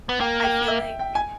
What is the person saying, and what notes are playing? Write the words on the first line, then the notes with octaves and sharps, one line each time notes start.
I feel like
B3
A#3 G5
G5
E5
G5
G#5